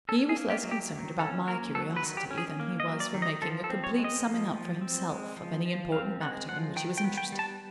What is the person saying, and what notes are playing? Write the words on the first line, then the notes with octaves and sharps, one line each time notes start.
He was less concerned about my curiosity than he was for making a complete summing up for himself of any important matter in which he was interested.
C#4 A4
G#4
A#3
G4
F#3
G4
D#3
C#4 A4
A#3 A#4
F#3 A4
B4
D#3
G4
C#4
G#4
A#3
D#5
F#3
D5
D#3
D#5
F3 A4
A4
C4
C#5
G#3
D#5
F3
F3
C4
G#3
F3
F3
C4 F5
G#3 F#5
F3 F#5
D#3 G5
G5
B3
G5
G3
A5